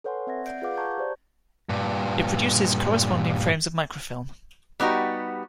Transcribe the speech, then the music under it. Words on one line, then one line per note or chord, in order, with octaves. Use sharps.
It produces corresponding frames of microfilm.
A4 B4 C#5 F#5 G#5 C6
C4 E5 F#5 G#6 A#6
D5 G6 C7 D7
F4 G#4 B4 F5 F#5 D6
A5 A#5 C#6 G6 G#6
G4 C5 D5
G2 A#2
G3 B3 D#4 F#4 G4